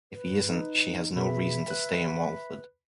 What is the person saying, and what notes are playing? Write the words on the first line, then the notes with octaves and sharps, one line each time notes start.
If he isn't, she has no reason to stay in Walford.
B4
G2
D#4
B2 G#4 B4 E5 B5
B4 F#6